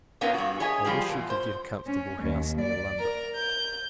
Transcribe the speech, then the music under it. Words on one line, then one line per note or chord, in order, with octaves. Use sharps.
I wish you could get a comfortable house near London.
A#2 A#3 B3 C#4 D#4
G2 F#4
G#4 C#5 D#5 E5 G#5
F3 G3 F4 G4 G#4
E2 A#2
C5
C#4
D#2
D5
A#4
G6